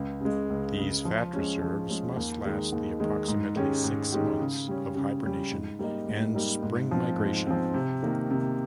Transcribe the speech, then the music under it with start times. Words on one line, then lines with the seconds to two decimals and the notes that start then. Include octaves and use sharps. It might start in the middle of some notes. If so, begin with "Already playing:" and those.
These fat reserves must last the approximately six months of hibernation and spring migration.
Already playing: C#2
0.21 C#3 G#3
0.50 C#2
0.77 C#3 G#3
1.05 F3
1.33 G#3 C#4
1.61 F3
1.89 G#3 C#4
2.16 D#2
2.45 D#3 G#3
2.72 D#2
3.00 D#3 G#3
3.28 G#2
3.56 D#3 G#3 C#4 G4
3.84 G#2
4.12 D#3 G#3 C#4 G4
4.40 C#3
4.68 G3 C#4
4.95 C#3
5.23 G3 C#4
5.51 G#2
5.79 G3 A#3 D#4
6.08 G#2
6.34 G3 A#3 D#4
6.62 G#2
6.91 F3 C4
7.18 G#2
7.47 F3 C4
7.74 C3
8.03 D#3 A#3 D#4
8.31 C3